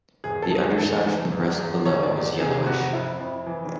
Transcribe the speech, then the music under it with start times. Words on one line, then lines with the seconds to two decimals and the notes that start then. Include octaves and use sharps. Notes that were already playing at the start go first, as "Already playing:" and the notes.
The underside from the breast below is yellowish.
0.24 E2 G#4
0.42 A4
0.51 E2
0.60 G#4
0.78 E2 A4
1.04 E3
1.31 E2
1.59 E2
1.85 D#3 C#5
2.03 D5
2.12 E2
2.21 D5
2.39 C3 G#4
2.66 F2 F#4
2.93 F2 E4
3.19 F2
3.47 E3